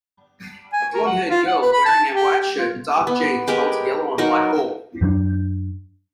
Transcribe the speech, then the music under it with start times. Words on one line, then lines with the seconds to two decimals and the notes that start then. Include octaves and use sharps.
A blondhaired girl wearing a white shirt and dark jeans holds a yellow and white ball.
0.73 G#5
0.94 A#4
1.06 F#5
1.30 F4
1.47 F#5
1.61 B4
1.73 B5
1.85 A5
2.13 G4
2.40 G4
2.58 F4
3.07 B3
3.48 G#3 G4 A#4 B4
4.18 F#3 D#4 A#4
5.01 F#2 F#3 A3 D4